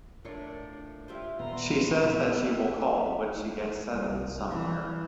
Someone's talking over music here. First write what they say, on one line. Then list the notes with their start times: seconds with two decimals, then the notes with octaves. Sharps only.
She says that she will call when she gets settled somewhere.
0.25 A2 D4 F4 A#4 C#5
1.08 E4 F4 G4 C5
1.39 D#1 A#2 B3 A#5 C6
2.02 A#1 A2 D#3 G3 G4 E5
2.35 A#3
3.89 C2
4.48 E3